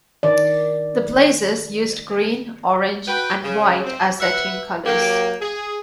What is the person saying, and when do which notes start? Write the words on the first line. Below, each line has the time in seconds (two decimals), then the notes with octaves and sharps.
The Blazers used green, orange, and white as their team colors.
0.23 D#3 D5
3.07 F#4 B4 G5
3.43 C#3
3.85 C4
4.20 B4 E5 F#5
4.86 F#3 A#3 G4
5.41 G#4